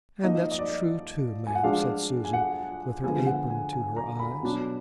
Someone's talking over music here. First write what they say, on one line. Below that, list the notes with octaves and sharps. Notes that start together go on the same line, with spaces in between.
'And that's true too, ma'am,' said Susan, with her apron to her eyes.
F3 A#3 D#4 D#5
D#5
D5
G#5
F#5
F3 G#3 D4 F5
G#5
F#5
D3 F3 G#3 B3 G#5
F#5
G#5
G#5
A#5
B5
B2 F#3 D4